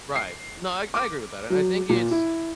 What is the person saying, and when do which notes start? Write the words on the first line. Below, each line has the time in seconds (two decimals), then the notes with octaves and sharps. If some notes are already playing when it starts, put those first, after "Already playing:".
Right. No, I I agree with that, and I think it's
0.16 C7
0.94 D6
1.50 F#3
1.89 A#2
2.11 E4